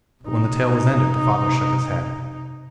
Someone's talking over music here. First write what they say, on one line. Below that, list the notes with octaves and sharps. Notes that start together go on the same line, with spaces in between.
But when the tale was ended the father shook his head.
C3 D#4